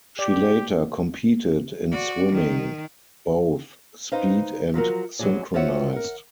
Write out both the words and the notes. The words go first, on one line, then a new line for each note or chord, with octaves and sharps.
She later competed in swimming, both speed and synchronized.
G4 D5
F#4 D5
D#3
D#4 B4 C5 D#5 F5
F3 F#3 F#4 A#4
E2 F#3 C4 F#4 G#4 D5
F4 F#4 C5 C#5 E5 F#5
A#4 F#5